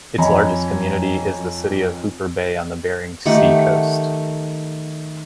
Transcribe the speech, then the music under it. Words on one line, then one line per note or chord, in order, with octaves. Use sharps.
Its largest community is the city of Hooper Bay, on the Bering Sea coast.
F2 C#5 D#5 G#5 A#5 B5
D#3 A3 G4 F#5